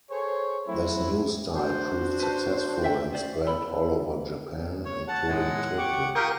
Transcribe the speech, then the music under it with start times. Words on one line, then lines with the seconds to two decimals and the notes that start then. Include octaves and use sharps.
This new style proved successful and spread all over Japan, including Tokyo.
0.10 G#4 A4 C5 C#5
0.68 F#3 A3 C4 E4
1.57 D4 F#4 C5
2.20 B4 A5
2.82 D5 E5 G5
3.13 C#4 C5 D5
3.46 A4 B5
4.85 C#5
5.08 F#5 A5
5.29 F#2 A2 G#3
5.78 G4 C#6 D6
6.15 F4 G4 A#4 F5 G5 C#6 D#6